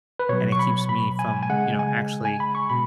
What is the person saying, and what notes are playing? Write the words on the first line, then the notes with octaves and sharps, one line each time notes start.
and it keeps me from, you know, actually
B4
B2 F#3 C#5
C#6
B5
B5
G#5
G#5
C#3 G#3 F#5
G#5
G#5
B5
C#6
B2 B5